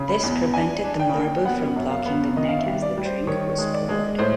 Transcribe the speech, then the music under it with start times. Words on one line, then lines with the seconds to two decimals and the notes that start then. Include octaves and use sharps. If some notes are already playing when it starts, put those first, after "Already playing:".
This prevented the marble from blocking the neck as the drink was poured.
Already playing: C#3
0.09 B5
0.23 E2
0.54 D4 G#5
0.84 D4
0.99 G5
1.14 A#3
1.45 B3 F#5
1.76 F#2
1.91 F5
2.06 B3
2.37 D#3 D#5
2.49 F5
2.59 E5
2.66 G3
2.82 D5
2.98 G3
3.05 C5
3.27 D#3 C#5
3.58 G#3
3.74 D5
3.89 G#3
4.18 A2 C5